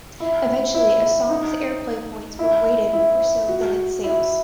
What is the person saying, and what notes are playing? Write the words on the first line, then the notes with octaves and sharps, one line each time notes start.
Eventually, a song's airplay points were weighted more so than its sales.
E4
E4
D#4
E4
E4
F#4
E4